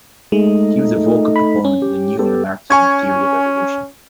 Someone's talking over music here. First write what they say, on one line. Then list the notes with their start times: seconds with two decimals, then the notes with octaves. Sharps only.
He was a vocal proponent of the Neo-Lamarckian theory of evolution.
0.32 G#3 A3 D#4
1.36 B5
1.65 C#4
1.82 G4
2.19 B3 G4 A4
2.71 C#4 G#5 C#6 G#6